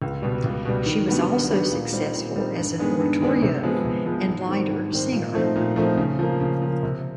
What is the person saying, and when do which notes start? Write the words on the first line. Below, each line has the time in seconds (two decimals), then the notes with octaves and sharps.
She was also successful as an oratorio and lieder singer.
0.02 C#2
0.22 B2 G3
0.44 C#2
0.65 B2 G3
0.86 D#3
1.08 G3 B3 D4 F#4
1.29 D#3
1.50 G3 B3 D4 F#4
1.71 A#2
1.93 G3 C4 D#4
2.14 A#2
2.36 G3 C4 D#4
2.57 G2
2.78 D#3 G#3 B3 D4
3.00 G2
3.20 D#3 G#3 B3 D4
3.42 C3
3.63 F3 G#3 B3
3.85 C3
4.06 F3 G#3 B3
4.27 G#2
4.49 D#3 G3 C4
4.70 G#2
4.92 D#3 G3 C4
5.12 A#2
5.34 F3 A3 C4 D#4
5.55 A#2
5.76 F3 A3 C4 D#4
5.97 C#3
6.19 F3 A#3
6.40 C#3
6.62 F3 A#3
6.83 C3